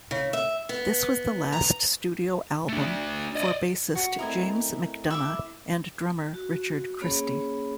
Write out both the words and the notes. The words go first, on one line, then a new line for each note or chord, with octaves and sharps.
This was the last studio album for bassist James MacDonough and drummer Richard Christy.
C#3
E5
B3
A#5
A3 D4
D5 D#5
F#4
A3 C4 E4 A#4 D#5 G#5
E5 B5 D6
F#4
A#3 C#4 G#4 C#5 B5